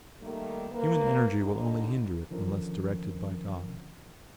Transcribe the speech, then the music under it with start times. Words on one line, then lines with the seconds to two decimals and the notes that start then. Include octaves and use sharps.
Human energy will only hinder it unless directed by God.
0.22 D#3 G3 A3 A#3
0.72 A#3 B4
1.42 D#2 D3 D#4
2.31 D3 D#3 F3 C#4 A#4